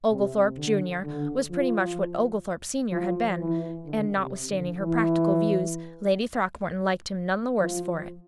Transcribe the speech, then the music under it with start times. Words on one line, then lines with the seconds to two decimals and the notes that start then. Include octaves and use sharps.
Oglethorpe, junior, was pretty much what Oglethorpe, senior, had been, and notwithstanding her practical views, Lady Throckmorton liked him none the worse for it.
0.11 C3
0.57 D3
1.04 D3
1.51 F3
2.92 F3
3.38 E3
3.86 D3
4.17 C3
4.48 D3
4.80 E3
7.60 F3